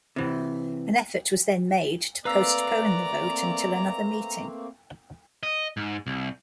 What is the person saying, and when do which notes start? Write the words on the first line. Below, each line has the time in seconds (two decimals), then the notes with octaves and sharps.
An effort was then made to postpone the vote until another meeting.
0.16 C3 E3
2.25 A3 A#3 C4 B4 D5 F5 A#5 E6
5.43 D#5
5.77 G#2
6.07 C2